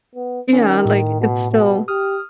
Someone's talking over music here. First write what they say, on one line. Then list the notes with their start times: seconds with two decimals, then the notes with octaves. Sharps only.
Yeah. Like, it's still
0.16 B3
0.53 D#3 C#4
0.85 A2
1.21 B2
1.51 B2
1.88 G4 D#6 F6